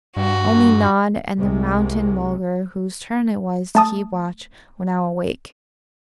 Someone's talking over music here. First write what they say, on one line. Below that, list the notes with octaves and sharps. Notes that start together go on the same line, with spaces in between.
Only Nod and the Mountain-mulgar whose turn it was to keep watch were now awake.
G2 F#4
C2 C3 G#3
A3 A5 D#6